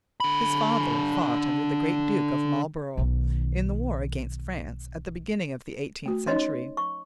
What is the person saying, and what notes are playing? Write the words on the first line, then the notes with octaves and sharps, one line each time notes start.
His father fought under the great Duke of Marlborough in the war against France at the beginning of the eighteenth century.
D3 B5
B1 D#3
A3 F#4
C#4 D#4 C#5 D#5 C6
C#6